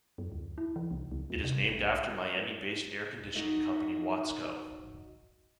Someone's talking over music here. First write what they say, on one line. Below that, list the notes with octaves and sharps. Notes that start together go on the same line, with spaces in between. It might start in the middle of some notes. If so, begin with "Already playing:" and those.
It is named after Miami-based air conditioning company Watsco.
F#2
D2
E4
E3
C2
C#2
D#2
C3
F1
B1
D#4 F#4 D#5 E5